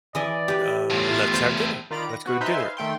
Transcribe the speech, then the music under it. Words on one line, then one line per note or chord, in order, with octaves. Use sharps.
"uh, let's have dinner. Let's go to dinner."
E3 D5 D#5 G#5
G4 B4
E2 A2 F4
C5
D#3 F4 D5 A#5 B5 D7
A#6
B3 F#4 B4
D#4 B4 C5 E5 G#5 C6
F5
D#3 A3 G5 C6